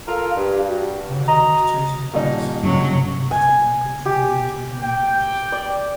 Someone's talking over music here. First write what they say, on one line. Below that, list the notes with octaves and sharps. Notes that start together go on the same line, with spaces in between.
All administration tasks are accomplished through a browser-based user interface.
F4 A4 A#4 F5
G2 G4
F#4
D#5 A#5
D#1 D#4
G2 C#3 F#3
G#5
G4
G5
D5